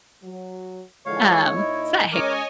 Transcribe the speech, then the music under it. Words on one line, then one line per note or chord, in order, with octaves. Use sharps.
um, it's that hair.
F#3
D3 E3 F3 G#3 C#5 F5
A#2 D#4 E4 D#5
G#3 C#4 A#4 C#5 D#5 G#5 D6